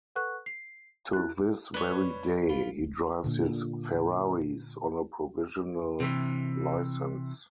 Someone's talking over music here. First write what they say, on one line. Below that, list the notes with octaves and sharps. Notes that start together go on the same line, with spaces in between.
To this very day, he drives his Ferraris on a provisional license.
A4 B4 F#5 C#6 F#6
C7
E4 F#6
G3 D4 B4 C#5
F4 B5
A#2 D3
C3 E3